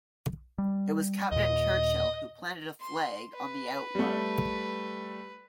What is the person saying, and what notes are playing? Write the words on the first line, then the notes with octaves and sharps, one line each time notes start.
It was Captain Churchill who planted a flag on the outwork.
G3
D#2 A#2 D#5
C6
B4
G3 A3